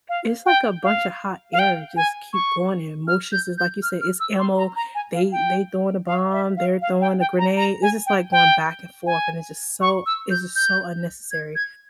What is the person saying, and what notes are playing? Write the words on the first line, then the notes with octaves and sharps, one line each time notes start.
it's like a bunch a hot air, just keep going, and emotions is like you say, "It's ammo," they they throwing a bomb, they're throwing a grenade, it's just, like, going back and forth, and it's just so it's just so unnecessary.
F5
G5
F5
F5
G5
G#5
C#6
F6
G6
G6
F6
F6
E6
C6
A#5
A#5
G#5
F5
G5
F5
E5
F5
F5
G5
G5
A#5
A#5
G#5
G5
G5
G#5
C#6
E6
G6
G6
G#6
G#6